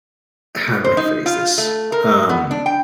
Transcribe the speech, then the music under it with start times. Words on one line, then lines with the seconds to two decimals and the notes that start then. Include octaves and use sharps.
How do I phrase this? Um,
0.84 C5
0.97 D#4
1.26 F4
1.58 A3
1.92 A#4
2.29 B3
2.51 D4
2.66 G5